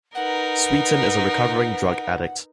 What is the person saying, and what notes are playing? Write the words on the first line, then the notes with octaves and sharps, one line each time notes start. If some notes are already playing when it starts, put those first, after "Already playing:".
Sweetin is a recovering drug addict.
D#4 A#4 B4 F#5